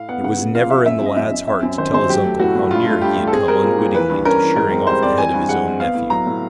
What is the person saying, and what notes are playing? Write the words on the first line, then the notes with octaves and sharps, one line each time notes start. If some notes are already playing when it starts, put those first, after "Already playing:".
It was never in the lad's heart to tell his uncle how near he had come unwittingly to shearing off the head of his own nephew.
Already playing: A2 F5
B3 F#5
C#3 F#5
C#3
F3 F5
F3 E5
F#2 E5
F#2
D#5
F#2 E5
F#2
C4 E5
F#2
D#3 C5
F#2 C5
F#3 G4
A3
A2 F#4
A2
G2 F4
A3
G2 G4
A3
A4
C4 G#4
G3 A#4
A#2
A#2
E3 B4
G2
C#4 A#4
E3
G#2 A#4
C4
G3 C5
C4 D5
E3 G#5
G2
G#3 F#5
C4
B3 F5
A2
F#3 A#5
A2